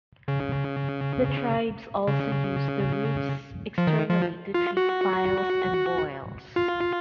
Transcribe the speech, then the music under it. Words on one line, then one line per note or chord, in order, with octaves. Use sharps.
The tribes also used the roots externally to treat piles and boils.
C#3
C#3
F3
D#3
F3
F4
F#4
F4